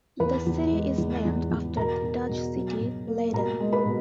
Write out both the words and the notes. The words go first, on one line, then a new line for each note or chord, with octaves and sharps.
The city is named after the Dutch city Leiden.
E2 B4 B5
E2
G#3
E2
E2
E2
B2 A#4 A#5
B2
B2
F#3
B2
A#3
B2 A#4 A#5
G#3
B4 B5
B2